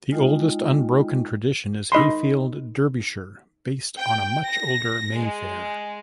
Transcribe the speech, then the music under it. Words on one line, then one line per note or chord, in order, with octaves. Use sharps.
The oldest unbroken tradition is Hayfield, Derbyshire based on a much older May Fair.
G#3 D#4 F4 D#5 G5
D#4 D#5 B5 C6
G5
A#6
G#3